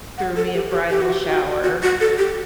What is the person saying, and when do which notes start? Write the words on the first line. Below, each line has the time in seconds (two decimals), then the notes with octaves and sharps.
threw me a bridal shower,
0.18 F#5
0.36 A4
0.54 G4
0.72 G4
0.90 G4
1.02 F#4
1.13 G4
1.27 F#4
1.63 F#4
1.82 F#4
2.00 A4
2.18 G4